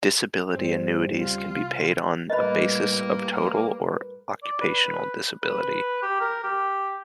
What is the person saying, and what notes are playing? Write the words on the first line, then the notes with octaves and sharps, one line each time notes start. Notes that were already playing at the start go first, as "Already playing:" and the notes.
Disability annuities can be paid on the basis of total or occupational disability.
G1 A2 G3 C4
D#2 C#3 F4
C2
A2 G3 A#3 A#4 B4 D#5 B5
D5
B4
B4
G4
A#4
G4